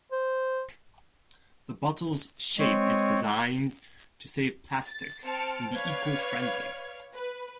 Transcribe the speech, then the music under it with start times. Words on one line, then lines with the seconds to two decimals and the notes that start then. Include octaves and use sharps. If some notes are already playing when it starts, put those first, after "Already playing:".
The bottles shape is designed to save plastic and be eco-friendly.
0.12 C5
2.59 G#3 C4 C#5
4.86 A6
5.25 C4 A5 F6 C#7 D7
5.74 B4 C#5 D5 F5 F6 G#6
7.14 B4